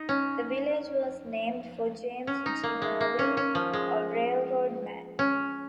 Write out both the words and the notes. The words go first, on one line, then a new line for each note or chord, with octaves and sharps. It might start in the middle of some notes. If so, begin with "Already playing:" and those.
The village was named for James G. Merwin, a railroad man.
Already playing: D#4
C#4
C#4
D#4
A#3
G#3
A#3
C#4
C#4
F3
G#3
C#4